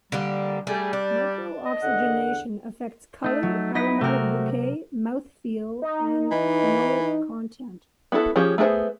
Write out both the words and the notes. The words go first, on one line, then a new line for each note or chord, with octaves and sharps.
Micro-oxygenation affects colour, aromatic bouquet, mouth-feel and phenolic content.
D3 G3 A#3 G4
G3 A3 D4 G#4 G#5
D4 D5
D#5
E2 D3 F#5
A3 D#4
F#3
D#4 E4 B4 A#6
C3 A3 F#4 A#4
D#4
E3
B3 E4 F#4 A4
F3 C#4 G4 G#4
A3 B3 G#4 A#4 C5